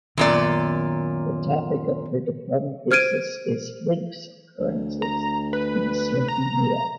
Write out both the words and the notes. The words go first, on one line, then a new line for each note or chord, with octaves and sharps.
The topic of her diploma thesis is lynx occurrences in Slovenia.
F#2 A#2 D#3 B3 D5
C5 F6 G#6 D7 D#7
D2
A#5
B4
A#5